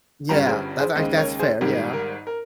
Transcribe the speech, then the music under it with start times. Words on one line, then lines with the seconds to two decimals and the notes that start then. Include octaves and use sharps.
Yeah, that's i that's fair, yeah.
0.29 G1 G2 G3 C#4 G5 A#5
0.46 G#4 C5
0.79 G#4 C5
0.95 D#2 C#3 G#3 C5 D#5
1.17 A#4 C#5
1.39 G#4 C5
1.61 G#1 G#2 G3 A#4
1.93 A#4
2.27 A#4